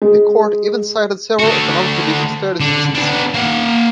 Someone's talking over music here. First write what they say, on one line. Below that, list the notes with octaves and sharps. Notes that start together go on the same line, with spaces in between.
The Court even cited several Economic Division studies in its decision.
G#3
D3 F#4
D3
B3 D4
A#3 F#5